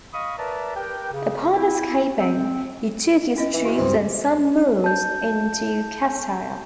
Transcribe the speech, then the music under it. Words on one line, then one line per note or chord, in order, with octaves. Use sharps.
Upon escaping, he took his troops and some Moors into Castile.
D#5 F5 B5 C#6 D#6
A#4 B4 D5 E5 A5 A#5
G4 A#4 B4 G5
C#3
C4 E4
C4
C#4 E4 D#5
E3
F#4 B4
C#2 G2 C4
A5 G6